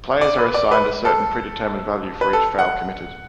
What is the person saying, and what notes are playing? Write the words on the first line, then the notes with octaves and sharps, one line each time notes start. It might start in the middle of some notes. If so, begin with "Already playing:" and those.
Players are assigned a certain predetermined value for each foul committed.
D5
B4
D5
B4
A4
B4
A4
F#5